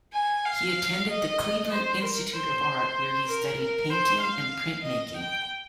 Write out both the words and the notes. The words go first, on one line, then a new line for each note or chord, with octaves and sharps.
He attended the Cleveland Institute of Art, where he studied painting and printmaking.
G#5
F5
D#5
C5
A#4
C5
A#4
A#4
C5
F5
D#5
G5